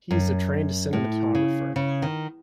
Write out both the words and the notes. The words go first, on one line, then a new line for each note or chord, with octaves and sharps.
He is a trained Cinematographer.
F#2
A2
C#3
C#3
D#3